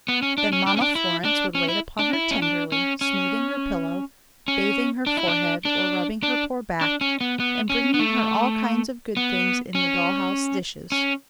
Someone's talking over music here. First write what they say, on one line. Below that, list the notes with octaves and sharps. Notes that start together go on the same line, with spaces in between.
Then Mamma Florence would wait upon her tenderly, smoothing her pillow, bathing her forehead or rubbing her poor back, and bringing her all kinds of good things in the doll-house dishes.
B3
C#4
D4
C#4
D4
C#4
D4
E4
D4
C#4
E4
D4
E4
C#4
D4
C#4
C#4
C#4
D4
E4
D4
D4
D4
D4
C#4
B3
B3
C#4
B3
A3
B3
C#4
C#4